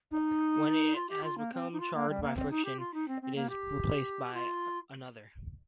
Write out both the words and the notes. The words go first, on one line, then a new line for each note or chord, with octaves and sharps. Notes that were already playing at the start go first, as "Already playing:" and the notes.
When it has become charred by friction, it is replaced by another.
D#4
F4
G4
F4
A#3
C4
D#4
F4
A#3
G3
A#3
C4
D#4
G4
F4
D#4
C4
C4
A#3
G4
F4